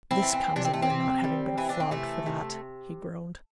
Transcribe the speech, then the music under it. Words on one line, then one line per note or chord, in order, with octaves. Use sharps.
"This comes of their not having been flogged for that!" he groaned.
C4 E4
E3
C4
C3 D4
C4
A3
C4
C3
G3
E3 E4
D4
C4
C3 A3
C3